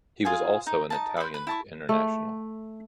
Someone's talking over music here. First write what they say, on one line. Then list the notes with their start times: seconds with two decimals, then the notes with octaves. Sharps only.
He was also an Italian international.
0.25 F4 G#4 G#5
0.67 D#4
0.90 D#4 E4 A5
1.17 B4 C5
1.34 B4
1.47 E4 A5 C#6
1.89 A3